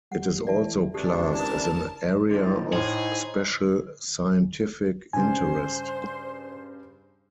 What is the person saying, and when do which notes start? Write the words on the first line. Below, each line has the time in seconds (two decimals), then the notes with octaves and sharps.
It is also classed as an Area of Special Scientific Interest.
0.12 G3 F#5
0.47 E3 D5 E5 A5
0.94 C#2 C3 E3 D4 G4 A4
1.36 D#4 E4 A#4 A5 D#6
2.31 D3 F3 D#4
2.73 A2 D#4 G#4 C5
5.13 G2 C#3 C5 G#5